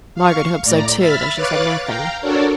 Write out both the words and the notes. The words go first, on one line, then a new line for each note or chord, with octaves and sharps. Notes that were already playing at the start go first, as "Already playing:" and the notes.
Margaret hoped so too, though she said nothing.
F5 C#6
A2 D5 A#5
E5 B5 F6 A6 B6
B4 C#5 F5 D6 F#6 A6
F5 G5 A#5
D4 F#4 A4 A#4 C#5 D5